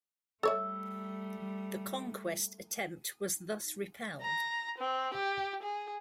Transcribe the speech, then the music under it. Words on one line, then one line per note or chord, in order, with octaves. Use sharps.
The conquest attempt was thus repelled.
G3 A3 A4 C#5 E5 E6
A#5
C4
G4
G#4